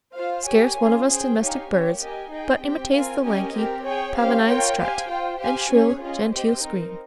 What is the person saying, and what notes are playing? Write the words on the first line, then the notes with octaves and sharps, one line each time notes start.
Scarce one of us domestic birds but imitates the lanky, pavonine strut, and shrill, genteel scream.
F4 C5 F5
G4 A#4 C#5 G#5
C#4 F4 G#4
G#4 C5 G5
D#4 G4 C#5 F5 G#5
A#3 C#4 G4 C#5
G4 A#4 D#5 G#5
D#4 G#4 D#5 G5
C4 G4 C5 G5
C4 F4 A#4 F5 G#5
C#4 G4 A#4 D#5 G#5
C4 G4 A#4
G#4 C#5 G5
C#4 G4 C5 F5
F4 A#4 C#5 G5
G4 C5 F5 G#5
F4 C5 G5
G4 C5 F5 G#5
C#4 G#4 C#5
C#4 F4 G#4 D#5
C4 G4 C5 D#5 G5
C4 D#4 A#4